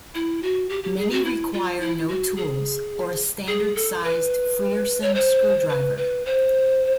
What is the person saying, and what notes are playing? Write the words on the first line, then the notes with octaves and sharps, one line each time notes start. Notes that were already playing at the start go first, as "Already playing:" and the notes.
Many require no tools, or a standard-sized Frearson screwdriver.
E4
F#4
G4
G4
G#4
F#4
E4
F4
E4
F#4
G#4
G#4
A4
B4
C#5
C5
B4
B4
C5